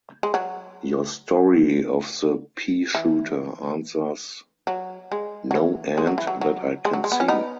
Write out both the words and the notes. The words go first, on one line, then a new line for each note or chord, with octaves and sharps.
Your story of the pea-shooter answers no end that I can see.
G#3
F#3
E3
F#3
G#3
F#3
E3
G#3
F#3
E3
F#3
F#3
G#3
F#3
G#3
B3
C#4
B3 D#4